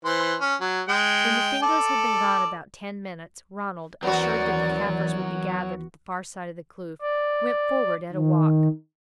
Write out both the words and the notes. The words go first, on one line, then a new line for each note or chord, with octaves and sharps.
When the Fingoes had been gone about ten minutes, Ronald, assured that the Kaffirs would be gathered at the far side of the kloof, went forward at a walk.
E3 C5 C6
C#4
F#3
G#3 G5
A4 D5
D#2 E3 F#3 B3 F#4 A#4 D5
D5
D#3